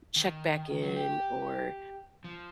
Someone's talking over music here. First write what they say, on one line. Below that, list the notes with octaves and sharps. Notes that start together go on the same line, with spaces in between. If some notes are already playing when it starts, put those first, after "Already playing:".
check back in, or,
D#3
F#3
G4
F3